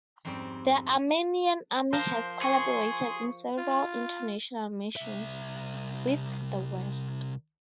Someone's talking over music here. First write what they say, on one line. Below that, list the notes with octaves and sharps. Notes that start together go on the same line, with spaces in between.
The Armenian army has collaborated in several international missions with the West.
F2 G#2 G3 C4 C#4
F3 A#4 C5 C6
G#4 C#6 C#7
F4
C2 E5